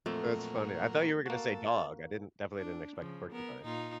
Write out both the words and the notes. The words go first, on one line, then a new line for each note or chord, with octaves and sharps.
That's funny, I thought you were gonna say, dog, I didn't definitely didn't expect, porcupine.
F2 A#2 F#3 A3 A#3
A#3 F#4 A4
D4
C#3 F3
B3 A#4
A#2 D#4 F4